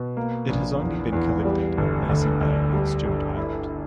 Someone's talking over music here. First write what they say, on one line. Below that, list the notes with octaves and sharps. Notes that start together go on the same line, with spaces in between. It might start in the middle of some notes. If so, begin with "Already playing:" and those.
It has only been collected at Mason Bay at Stewart Island.
Already playing: B2
A#3
A#1
E2
E2
G3
G1
D2
D2
G3
G1
E4